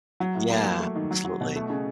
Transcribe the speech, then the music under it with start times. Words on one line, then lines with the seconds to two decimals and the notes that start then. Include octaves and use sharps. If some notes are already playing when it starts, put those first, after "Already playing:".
Yeah. Absolutely.
0.20 F#3
0.35 A2
0.50 A#3
0.64 F#3
0.80 A3
0.96 D#3
1.11 F#3
1.25 F#3
1.41 B2
1.56 A3
1.70 C#3